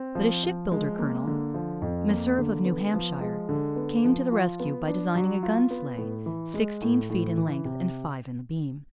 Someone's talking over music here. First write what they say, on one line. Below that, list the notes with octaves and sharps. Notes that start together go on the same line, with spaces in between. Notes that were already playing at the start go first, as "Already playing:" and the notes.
But a ship-builder colonel, Meserve of New Hampshire, came to the rescue by designing a gun-sleigh, sixteen feet in length and five in the beam.
Already playing: C4
F3
F3
G#3
A#3
D3
F3
F2
A#3
D3
B3
F3
G#3
D3
B3
F3
F4
B3
D4
F#3
F4
B3
A2
E3
G#3
A2
A2
E3
C3